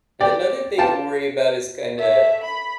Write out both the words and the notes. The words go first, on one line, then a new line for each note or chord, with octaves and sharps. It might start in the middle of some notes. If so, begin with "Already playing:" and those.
And another thing to worry about is, kinda,
G4 D5
F4 G4 A5
A3 E5
B5